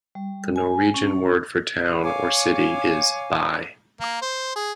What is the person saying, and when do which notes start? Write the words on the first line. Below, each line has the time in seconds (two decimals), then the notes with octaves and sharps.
The Norwegian word for town or city is "by".
0.15 G3
0.56 G#5
0.94 C#4
2.03 C#5 F5 G#5 D6
4.00 A#3
4.22 C5
4.56 G#4